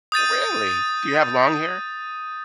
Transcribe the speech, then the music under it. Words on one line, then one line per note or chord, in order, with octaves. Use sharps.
Really? Do you have long hair?
D#6 G6 A6 D#7